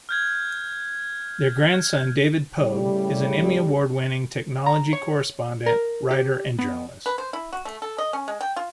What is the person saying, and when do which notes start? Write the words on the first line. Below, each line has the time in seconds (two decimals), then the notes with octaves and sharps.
Their grandson David Pogue, is an Emmy award-winning technology correspondent, writer and journalist.
0.09 F6 G6 G#6
2.61 A2 C#3 G3
4.66 A#5
4.93 C#5
5.66 A#4
6.11 G4
6.59 B3
7.06 B4
7.18 C5
7.33 E4
7.53 F#4
7.65 A3
7.82 A4
7.98 D#5
8.13 C#4
8.28 G#3
8.41 G5
8.56 F4